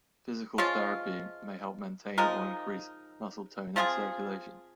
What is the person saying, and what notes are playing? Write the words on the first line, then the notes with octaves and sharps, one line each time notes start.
Physical therapy may help maintain or increase muscle tone and circulation.
F3 G#3 C#4 F4
F3 G#3 D#4 A#4
F3 C4 F4 G#4